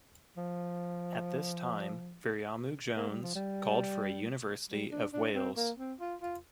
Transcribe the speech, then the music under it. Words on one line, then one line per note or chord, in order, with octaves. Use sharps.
At this time Viriamu Jones called for a University of Wales.
F3
A#3
G3
F3
G3
G3
D4
D4
C4
A#3
C4
F4
F4